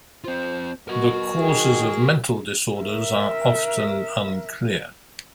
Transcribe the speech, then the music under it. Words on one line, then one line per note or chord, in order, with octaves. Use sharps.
The causes of mental disorders are often unclear.
C4 F4 C5
B2 F#4 A#4 F#5
D#3 G#4
A#4 E5